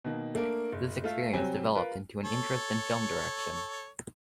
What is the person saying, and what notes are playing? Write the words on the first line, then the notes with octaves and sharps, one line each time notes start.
This experience developed into an interest in film direction.
B2 D#3 A#3
A3 A#3 D4 A#4
F#1
A3 F4 E5
C3 F#3 G3 C4 G5 G#5
F4 A#4 B4
A4 C#5